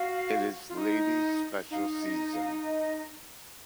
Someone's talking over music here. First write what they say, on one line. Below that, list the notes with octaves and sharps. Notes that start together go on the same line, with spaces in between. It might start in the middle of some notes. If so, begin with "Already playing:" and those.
It is ladies special season.
Already playing: F#4 F5
F4
D#4
D#4 F5
D#5
F5
D#5